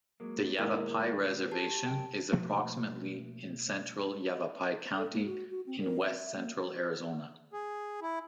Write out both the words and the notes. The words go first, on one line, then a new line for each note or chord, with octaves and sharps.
The Yavapai reservation is approximately in central Yavapai County in west-central Arizona.
F#3 G#3 A#3
D#2 B2 G#3 A#3 E4 A#4
B4
G4 A5
F#2 C4 G5
B2 F3 A3 A#3
A4
A#3
F#4
F#4
C4
A#4
E5
E5
A#3
G#4
E4